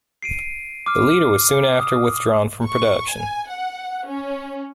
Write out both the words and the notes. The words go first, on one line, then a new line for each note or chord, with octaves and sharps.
The Leader was soon after withdrawn from production.
C7 D7 D#7
D6 F6
D#6
C#6
G#5
F#5
C#4